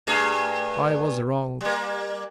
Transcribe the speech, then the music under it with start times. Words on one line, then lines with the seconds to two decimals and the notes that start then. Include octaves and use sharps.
I was wrong.
0.07 G2 A3 G#4
1.61 G3 A#3